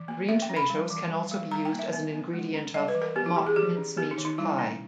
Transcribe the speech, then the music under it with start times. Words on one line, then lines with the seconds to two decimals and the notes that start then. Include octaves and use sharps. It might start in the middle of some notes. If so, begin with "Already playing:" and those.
Green tomatoes can also be used as an ingredient of "mock mincemeat" pie.
Already playing: E3
0.08 A#3
0.29 C#4 E5
0.42 G5
0.50 C#4
0.56 B5
0.70 G3
0.90 E3
1.10 G3
1.31 G3
1.51 G3 A#5
1.65 G5
1.73 A#3
1.79 E5
1.93 B3
2.13 B3
2.33 G#3
2.54 C#4
2.74 G3 D#5
2.88 B4
2.95 E3
3.02 A#4
3.16 B3 G4
3.26 E4
3.36 E3 G4
3.46 G#4
3.56 E3 G4
3.77 C#4
3.97 B3 G4
4.11 D#4
4.18 D#3
4.25 D#4
4.38 G3 E4
4.59 C#4